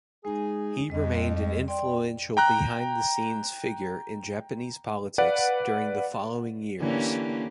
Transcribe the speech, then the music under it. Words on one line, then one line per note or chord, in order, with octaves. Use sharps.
He remained an influential behind-the-scenes figure in Japanese politics during the following years.
G#3 D#4 G#4
F2 G3 D#5
D5 G5 C6
G5 A#5 F#6
B4 D5 F5 F#5
D3 E3 A#3 C#4 G4